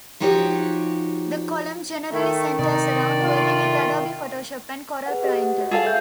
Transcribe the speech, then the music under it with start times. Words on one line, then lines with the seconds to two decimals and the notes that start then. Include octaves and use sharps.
The column generally centers around working with Adobe Photoshop and Corel Painter.
0.20 F3 D#4 F#4 G4 C#5
2.12 D#3 A3
2.59 C3 C4 D#4 D5
3.22 A3 F4
5.06 G#4 B4 F#5
5.23 G4 D#5
5.42 F#5
5.58 F#4 C#5
5.71 G#4 A4 F5
5.83 C#5 E5 G6